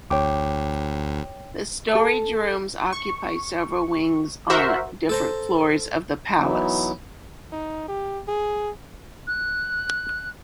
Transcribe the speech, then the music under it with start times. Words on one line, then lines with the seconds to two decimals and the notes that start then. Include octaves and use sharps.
The storage rooms occupy several wings on different floors of the Palace.
0.10 D2 C#5 G5 D6
1.95 A4
2.93 C#6
4.50 F#4 A#4 C5 E5
5.09 A4 C5 A#5
6.38 E3 F#3 B3 D#4 E4
7.52 D#4
7.88 G4
8.28 G#4
9.27 F#6